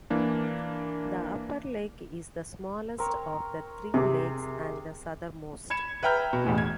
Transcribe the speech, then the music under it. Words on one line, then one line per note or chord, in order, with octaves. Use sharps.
The Upper Lake is the smallest of the three lakes, and the southernmost.
E3 A#3 D4
C4 A#4 C#5
C3 G#4 D6
B5 G#6 C#7 E7
B4 E5 G5 A#5 F6 G6
B2
A1 E2 A2
G#6